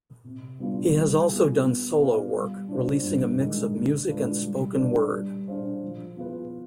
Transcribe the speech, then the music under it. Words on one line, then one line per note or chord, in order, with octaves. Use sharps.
He has also done solo work, releasing a mix of music and spoken word.
C3
G3 B3 D4 F4
G3
B3 F4 G#4
B3
F4 B4 D5 F5
G3
D4 F4 C5
G2
D#3 G#3
D3
G#3 D4 F4 B4
G3
D4 G4 B4
G3
D4 G#4 C5 F5
F3
B3 F4 G#4 B4